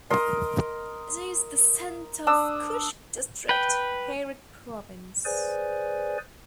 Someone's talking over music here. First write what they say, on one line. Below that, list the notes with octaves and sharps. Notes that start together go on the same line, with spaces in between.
It is the center of Kushk District, Herat Province.
A#4 D#5 C6
D4 D#6 E6
B4 G5
G#4 B4 C5 D5 G#5